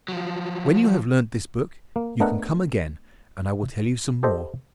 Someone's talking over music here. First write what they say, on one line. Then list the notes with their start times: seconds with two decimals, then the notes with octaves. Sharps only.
When you have learnt this book, you can come again, and I will tell you some more.
0.08 F3 F#3
1.96 A#3
2.20 A3 B3 D4 A#4 D#5 F#5
4.23 G4 A4 C5 D#5